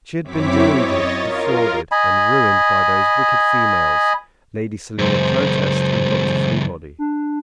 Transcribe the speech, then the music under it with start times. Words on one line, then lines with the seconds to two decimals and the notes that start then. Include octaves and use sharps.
She had been deluded, defrauded, and ruined by those wicked females, Lady Selina Protest and Dr. Fleabody.
0.24 F#2 C4 E4 C#5 D6 B6
0.74 C#5 D#5 A6
1.18 F4 A#4
1.92 D#5 G#5 B5
4.99 C#2 F#2 C5
6.99 D4